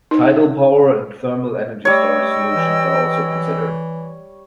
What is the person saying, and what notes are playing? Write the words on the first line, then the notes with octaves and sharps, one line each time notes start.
Tidal power and Thermal energy storage solutions are also considered.
D#4
G3 A3 C#5 D#5 G5 E6
E3